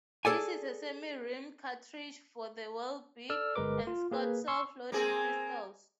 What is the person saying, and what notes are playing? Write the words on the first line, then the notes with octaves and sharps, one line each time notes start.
This is a semi-rimmed cartridge for the Webley and Scott Self Loading pistols.
G#4 A4 D5 G#5
A4 D5 E6 F6
G1 G#3 A#4 B4 D6
F4
A#3 G#4 B4
C6 C#6 E6
A#3 C4 G#4